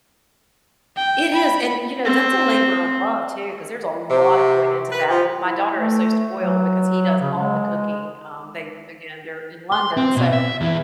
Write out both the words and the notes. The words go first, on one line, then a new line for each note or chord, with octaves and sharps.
It is, and, you know, that's a labor of love too 'cause there's a lot going into that, but my daughter is so spoiled because he does all the cooking. Um, they again, they're in London, so,
G5
B5
C4
C3
B4
F3
E4
A3
F#3
C#3
G#3
C6
C4
B2
E5
E2 E3